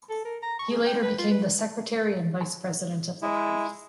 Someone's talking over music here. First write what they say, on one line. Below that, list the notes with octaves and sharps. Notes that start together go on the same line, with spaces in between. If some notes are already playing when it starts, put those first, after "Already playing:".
He later became the Secretary and Vice President of the party.
A4
A#4
A#5
C#6
G#4
G5
B4
F4
B4
G#3 E4